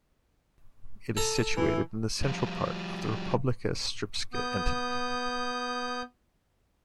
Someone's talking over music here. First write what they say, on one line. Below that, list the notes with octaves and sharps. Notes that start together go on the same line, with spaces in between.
It is situated in the central part of the Republika Srpska entity.
A4 A#5
E3
F3 G3
B3 D#6 G6